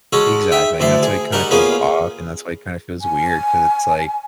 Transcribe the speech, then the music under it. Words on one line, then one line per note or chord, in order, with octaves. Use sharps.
Exactly. And that's why it kinda feels off, and that's why it kinda feels weird 'cause it's like,
G#3 C#4 F#4 A4
D#4 E5 G5
D2 E4 D5 C6
G#4
G3 D#4 F#4 A#4
A#3 B3 C#4 F4 G#4
G#5